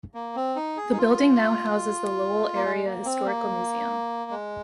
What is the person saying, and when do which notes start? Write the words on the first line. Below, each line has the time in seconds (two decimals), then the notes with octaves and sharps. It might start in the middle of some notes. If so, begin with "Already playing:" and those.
The building now houses the Lowell Area Historical Museum.
0.14 A#3
0.36 C4
0.56 D#4
0.77 G#4
0.92 D#4
0.98 F4
2.55 A#3
2.64 G#3
2.85 A#3
3.05 C4
3.26 A#3
4.31 G#3